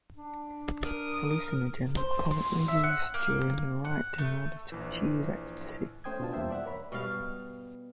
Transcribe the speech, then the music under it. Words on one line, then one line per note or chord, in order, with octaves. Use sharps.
Hallucinogens were commonly used during the rite in order to achieve ecstasy.
D4
A#4 D#6
C5
C6
E5
F#5
A#3
F#5
A3
A#1 E3
A3 C#4 C5 G5 D#6 G#6
B2 D4 F4 A5
E2 G3 A#3 C5 E5 G5
D5 E5 F#5
A#4 C#5 B5
B2 G3 F5